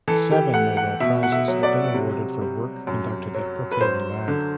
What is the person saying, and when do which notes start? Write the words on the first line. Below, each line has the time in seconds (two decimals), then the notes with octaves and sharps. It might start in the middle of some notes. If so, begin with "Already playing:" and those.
Seven Nobel prizes have been awarded for work conducted at Brookhaven lab.
0.08 E3 A4
0.32 G4
0.54 A3 F#5
0.77 F#5
1.00 B2 E5
1.23 F#5
1.32 E5
1.48 F#3
1.63 D5
1.94 C3
2.41 G3
2.87 F#2
3.34 F#3
3.72 B4
3.81 F#2 C5
4.28 D3